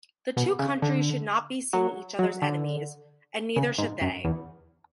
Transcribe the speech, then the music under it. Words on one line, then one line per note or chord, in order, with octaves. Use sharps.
The two countries should not be seeing each other enemies, and neither should they.
B2
C#3
D3
F#3
F#3
D3
C#3
G#2
F#2
E2